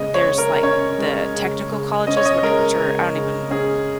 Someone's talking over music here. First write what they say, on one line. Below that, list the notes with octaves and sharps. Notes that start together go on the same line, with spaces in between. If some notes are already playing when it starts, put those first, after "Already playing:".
but there's, like, the technical colleges, which a which are, I don't even
Already playing: C#3 G#3 C#4 D#5
C#5
C#3
A#4
C#4 C#5
G#3
C#3
C#3
C#4 D#5
C#5
D#5
G#3 A#4
C#3
C#3
C#4 G#4